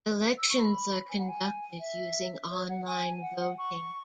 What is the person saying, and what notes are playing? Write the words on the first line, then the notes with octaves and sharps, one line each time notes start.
Elections are conducted using online voting.
E6
C#6
B5
G#5
F#5
G#5
E5
C#5
F#5
G#5
F#5
F#5
C#6